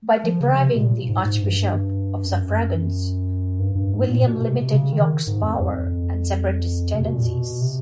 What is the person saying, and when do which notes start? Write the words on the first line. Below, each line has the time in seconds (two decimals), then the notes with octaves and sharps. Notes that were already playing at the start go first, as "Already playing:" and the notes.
By depriving the Archbishop of suffragans, William limited York's power and separatist tendencies.
0.24 F3
0.41 C#3
0.58 C3
0.75 A#2
1.09 G#2
1.25 G#2
1.42 G2
2.25 F#2
3.59 G2
3.75 G2
3.93 G#2
4.09 A#2
4.26 B2
4.49 C3
4.70 C#3
4.93 D#3
5.27 G#2
5.43 F2
5.60 F2
6.95 C3
7.04 B2
7.15 A#2
7.24 B2
7.61 C3